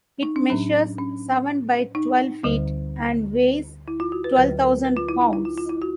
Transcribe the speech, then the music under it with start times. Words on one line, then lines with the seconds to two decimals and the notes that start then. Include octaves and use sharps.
It measures seven by twelve feet and weighs twelve thousand pounds.
0.23 D#4
0.36 D4
0.50 A2 F#3 C#4
0.98 C#4
1.95 D#4
2.43 D2 D3 G3
3.88 E4
4.00 F4
4.12 F#4
4.24 B4
4.36 D2 D3 F#3 B4
4.61 A#4
4.85 B4
4.97 F4
5.09 E4
5.21 D#4
5.33 E4
5.45 F4
5.57 F4
5.69 E4
5.82 F#4